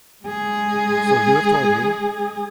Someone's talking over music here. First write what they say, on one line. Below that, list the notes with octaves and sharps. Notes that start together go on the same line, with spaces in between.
"So you have told me."
G#3 G#4